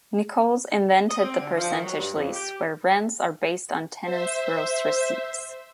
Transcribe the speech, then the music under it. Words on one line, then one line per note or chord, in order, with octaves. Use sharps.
Nichols invented the percentage lease, where rents are based on tenants' gross receipts.
D#5
C4
D3
F3
D#3
F#3
G2
F2
G4
C5 E5